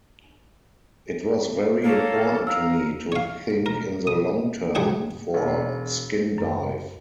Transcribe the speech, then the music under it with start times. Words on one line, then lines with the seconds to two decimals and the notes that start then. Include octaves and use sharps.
It was very important to me to think in the long-term for Skindive.
1.84 A#3 A4 C#5
2.47 D#4 F5 A#5 E6
3.12 C#5 F5
3.66 A#4
4.07 D#6
4.75 C#2 F#3 G#4 F#5 G5
5.34 E1
6.38 F#2